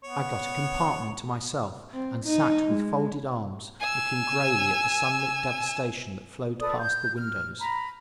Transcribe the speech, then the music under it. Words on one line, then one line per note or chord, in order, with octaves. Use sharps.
I got a compartment to myself, and sat with folded arms, looking greyly at the sunlit devastation that flowed past the windows.
B3 C#5
C4
D#4
G#3
G#5 E6
A4 B4 D5 D#6
G6
F6
A#5 B5